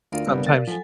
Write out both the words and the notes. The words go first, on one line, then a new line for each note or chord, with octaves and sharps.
sometimes, you
D2 F4 A#4 D5 F5
G1 C3 G3 B3
A6
F3 F#3 A4 G#5